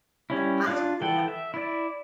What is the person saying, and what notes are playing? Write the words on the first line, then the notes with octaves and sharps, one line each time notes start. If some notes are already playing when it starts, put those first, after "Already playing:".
Yep. I hope you have
G3 C#4 E4
D4 F4 F5 F#6
E3 A4 F#5 G5
E5
E4 D5